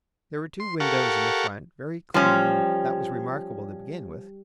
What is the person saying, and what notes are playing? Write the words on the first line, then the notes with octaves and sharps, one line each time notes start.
There were two windows in the front, very clean, and that was remarkable to begin with.
C6
G4 A4 A#4 F5 F#5 C#6
F3 G3 C#4